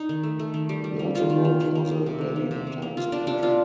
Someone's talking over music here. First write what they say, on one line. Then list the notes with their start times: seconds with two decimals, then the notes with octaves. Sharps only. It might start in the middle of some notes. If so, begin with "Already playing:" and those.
He also wrote for the "Berliner Tageblatt".
Already playing: D#4
0.09 D#3
0.23 A3
0.39 A3
0.54 D#3
0.69 G3
0.84 G3
0.99 A#3
1.15 D#3 F4
1.30 D#3
1.45 D#3
1.61 D#3
1.75 A#3
1.91 A#3
2.06 C3
2.21 A#3
2.36 A#3
2.51 C3
2.67 A#3
2.82 A#3
2.97 A#3 F4
3.12 A#3 D4
3.27 C3 D4
3.42 C3 F4